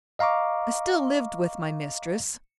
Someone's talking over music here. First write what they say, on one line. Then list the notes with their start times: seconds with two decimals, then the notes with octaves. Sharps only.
I still lived with my mistress.
0.19 D#5 F5 A#5 C#6 D6